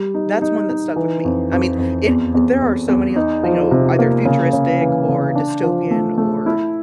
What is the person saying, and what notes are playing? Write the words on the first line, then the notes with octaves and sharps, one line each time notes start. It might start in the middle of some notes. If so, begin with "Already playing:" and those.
that's one that stuck with me. I mean, i there are so many, you know, either futuristic or dystopian or,
Already playing: G3
D#4
D#4
D#4
E3
F2
F2
F2
E2
E2
E2
E2
D#4
F3
C3
A#3
C#3
C#3
E3
C#3
D4
F3
A3
A3
E4